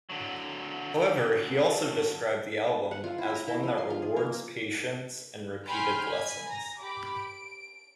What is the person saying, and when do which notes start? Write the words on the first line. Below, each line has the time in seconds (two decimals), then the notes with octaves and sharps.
However, he also described the album as one that rewards patience and repeated listens.
0.10 D3 F#3
2.91 F#5
3.04 F4
3.18 E4
3.35 A#5
3.47 E4
3.63 F3
3.78 C6
3.90 F4
4.02 G#4
4.16 A#3
5.67 G5 G#5 B5 C6 F6 G6
6.02 G#5 B5
6.48 A#5 A#6
6.80 G4 B5 D6
7.16 D7